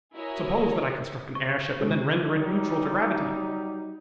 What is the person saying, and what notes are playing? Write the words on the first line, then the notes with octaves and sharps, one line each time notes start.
Suppose that I construct an airship and then render it neutral to gravity.
E4 F#4 A#4 C#5 D#5 G#5
C#6
B2 G#3
F#3 G3 D#4